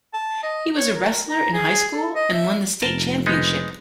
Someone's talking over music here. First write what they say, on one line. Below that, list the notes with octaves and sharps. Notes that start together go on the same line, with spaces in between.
He was a wrestler in high school and won the state championship.
A5
D#5
C#5
A#4
A#5
G#4
A4
D#5
E5
F1 A#4 A5
G#3 B3 D#4